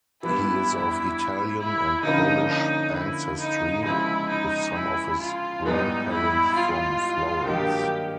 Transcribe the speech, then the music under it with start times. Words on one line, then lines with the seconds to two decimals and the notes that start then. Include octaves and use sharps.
He is of Italian and Polish ancestry with some of his grandparents from Florence.
0.22 G2 E3 G3 B3 E4
1.58 E4
2.03 D3 F3 A#3 C#4 D#4
2.48 D#4
2.94 E4
3.39 D#4
3.84 E2 C#3 F3 G#3 E4
4.29 D#4
4.74 E4
5.19 F4
5.65 G#2 E3 G3 B3 D#4
6.09 E4
6.55 F4
7.45 G2 D#3 F#3 A#3 D#4 G4